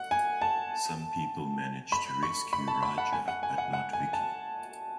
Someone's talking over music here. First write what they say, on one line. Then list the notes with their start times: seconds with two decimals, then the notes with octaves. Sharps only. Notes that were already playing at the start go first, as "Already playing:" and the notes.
Some people manage to rescue Raja but not Vicky.
Already playing: F#5
0.11 G#5
0.41 A5
1.92 B5
2.23 C#6
2.53 B5
2.68 A5
2.83 B5
2.98 F#5
3.13 G#5
3.28 F#5
3.43 G#5
3.58 F#5
3.73 F#5
3.93 G#5
4.13 A5